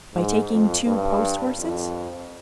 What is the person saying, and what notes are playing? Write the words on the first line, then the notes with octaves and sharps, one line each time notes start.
"By taking two post-horses?"
G#2
F2
G2
F2